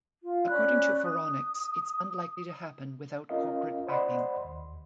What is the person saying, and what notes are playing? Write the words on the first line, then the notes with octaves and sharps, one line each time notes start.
According to Phoronix, it's unlikely to happen without corporate backing.
F4
C#4 D5 B5 F#6
D#6
C#4 F4 A#4 D#5 F5
C5 D5 D#5 F#5 B5 C6
D#2